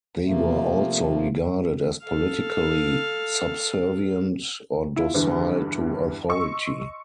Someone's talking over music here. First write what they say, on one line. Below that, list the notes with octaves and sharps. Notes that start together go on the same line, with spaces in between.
They were also regarded as politically subservient or docile to authority.
C3 F3 A3 A#3
A4 F5
E4 F4
E2 G2 D3 E3
D#5 C6 C#6 E6